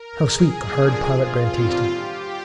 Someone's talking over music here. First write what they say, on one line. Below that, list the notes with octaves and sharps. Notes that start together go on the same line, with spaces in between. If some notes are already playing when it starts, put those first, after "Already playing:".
How sweet the hard pilot-bread tasted!
Already playing: A#4
G#4
A#2 F3 A#3 D4
F4
D#2 D3 G3 C4
G4